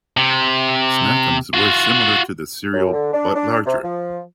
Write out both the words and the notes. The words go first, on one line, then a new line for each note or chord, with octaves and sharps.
Snack Ums were similar to the cereal but larger.
C3
F4 F#4
F#2
D3
D4
D4
C3
F3